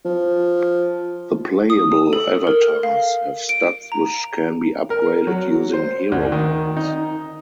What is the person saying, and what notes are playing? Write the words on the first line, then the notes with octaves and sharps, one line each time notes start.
The playable avatars have stats which can be upgraded using "hero points".
F3
D#6
A4
A#4
F5
D7
A#5
A#4
F#3
C5
D2
D#3
D#4